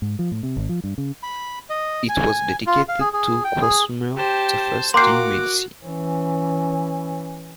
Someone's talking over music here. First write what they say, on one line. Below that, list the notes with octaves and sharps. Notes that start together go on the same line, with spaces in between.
It was dedicated to Cosimo the First de' Medici.
G#2
F3
A2
C3
G#1
F3
G2
C#3
B5
D#5
G#5
F4
F5
G#4
G#4
G5
G#4
G4 C5 A5
A#3 F#4 A#4 F#5 G5 C6 D6 C7
E3 C#4